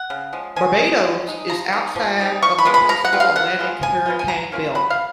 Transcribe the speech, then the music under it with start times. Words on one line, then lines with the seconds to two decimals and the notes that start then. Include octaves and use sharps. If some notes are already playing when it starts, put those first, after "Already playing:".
Barbados is outside of the principal Atlantic hurricane belt.
Already playing: F#5
0.10 C#3
0.33 F3 G#3
0.56 F3 G#5
0.79 G#3 D#4
1.04 F3
1.27 G#3 D#4
1.49 F3 A#5
1.73 G#3 D#4
1.96 F3
2.19 G#3 D#4
2.42 F3 C#6
2.58 B5
2.65 G#3 B3 F4
2.74 B5
2.89 F3 A#5
3.05 F#5
3.12 G#3 B3 F4
3.20 F5
3.35 F3 F#5
3.59 G#3 B3 F4
3.82 F3 G#5
4.06 G#3 B3 F4
4.19 G#5
4.28 F#3 A#5
4.52 A#3 C#4 F4
4.75 F#3 B5
4.90 F5